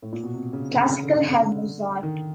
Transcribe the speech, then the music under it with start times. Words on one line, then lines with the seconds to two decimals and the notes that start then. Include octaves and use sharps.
Classical had Mozart.
0.02 A2
0.13 A#2
0.23 B2
0.34 C3
0.53 C#3
0.71 D3
0.91 C#3
1.03 D3
1.15 C#3
1.28 D3
2.03 D#3